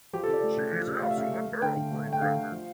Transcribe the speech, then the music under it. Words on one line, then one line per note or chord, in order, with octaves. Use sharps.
She is also a Perl programmer.
F3 G4
A4
C#3
D5
A3
C#3
F3
C#3
A3 F5
E5
C#3 F5
A3
A3
D3 G5
D3
A3
A3
G5
D3 F5
D3
F3